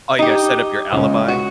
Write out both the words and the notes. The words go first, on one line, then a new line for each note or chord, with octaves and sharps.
Oh, you gotta set up your alibi?
D#4 G4
C#2 C#3
F#4